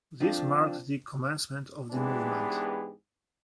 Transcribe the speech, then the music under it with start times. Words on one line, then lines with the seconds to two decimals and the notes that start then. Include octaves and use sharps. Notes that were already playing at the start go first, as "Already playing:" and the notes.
This marked the commencement of the movement.
0.20 F3 C4 D4 F4 A4
1.92 G#2 E3 G#3 B3 D4 G4